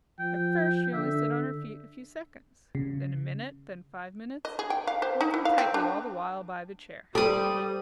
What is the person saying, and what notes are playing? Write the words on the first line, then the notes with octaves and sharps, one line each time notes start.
At first she only stood on her feet a few seconds, then a minute, then five minutes, holding tightly all the while by the chair.
F3 G5
D3 E5
C#3
D#5
G#4
G5
F5
C5
D#4
E4
F5
C4
D4
G3 G4 A4 C5 D5 D#6